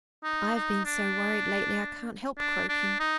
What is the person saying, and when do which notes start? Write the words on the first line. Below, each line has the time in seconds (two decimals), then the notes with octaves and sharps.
'I've been so worried lately, I can't help croaking.
0.24 D#4
0.55 D#4
0.85 D4
2.38 D4
2.69 D4
3.00 D#4